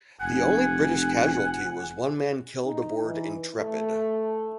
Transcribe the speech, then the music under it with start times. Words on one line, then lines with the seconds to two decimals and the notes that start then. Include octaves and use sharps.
The only British casualty was one man killed aboard "Intrepid".
0.21 F1 F#5 G#5
2.65 D#4
3.05 E3
3.56 A3